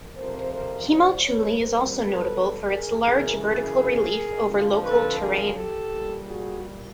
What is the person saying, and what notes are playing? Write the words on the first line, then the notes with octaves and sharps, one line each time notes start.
Himalchuli is also notable for its large vertical relief over local terrain.
F2 C3 F3 A#4 C5
A#4 C5
C5 D5
B4 C#5
B2 G3 A#4 C5
A4 B4
G#4 A#4
F#2 C#3 E3 G#4 A#4
G#4 A#4
F2 D3 F3
A4 B4
G#4 A#4
G4 A4
A#2 G3
F#4 G#4